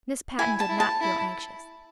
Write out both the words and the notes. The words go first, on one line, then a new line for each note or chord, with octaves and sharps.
Miss Patten did not feel anxious.
E4 G#5
A5
E4
A5
E4